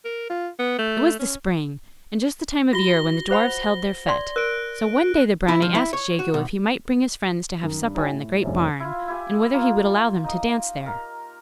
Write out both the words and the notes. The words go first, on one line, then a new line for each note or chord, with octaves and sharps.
It was the spring, and just the time of year when the dwarfs held their fete, so one day the brownie asked Jegu if he might bring his friends to have supper in the great barn, and whether he would allow them to dance there.
A#4
F4
B3
A3
C#4
F4 F#4 A#6 G7
C5 F#5 B5
D5 C6
A#4 F#6 D7
E4
F3
E4
C#5
F#4
B1
F#2 D#3
G2
D#4 F#4 C#5 G5 G#5
A2
F1 A#1 C3 C#4
E4 F4
E4 G4 G#5
A#3 F4
D#4 D#6
A#4